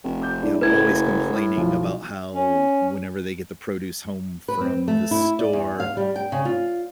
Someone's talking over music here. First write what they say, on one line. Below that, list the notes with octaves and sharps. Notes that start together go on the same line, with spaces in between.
you know, always complaining about how whenever they get the produce home from the store,
F1 C4
D6 G6
G#3 D4 E4
F#1 C#3 A3 E4 B4 G#6
A2
B1 F3
C#4
B4
C4
A3
E4
D5
E2
F5
G3
G5
C#3
F4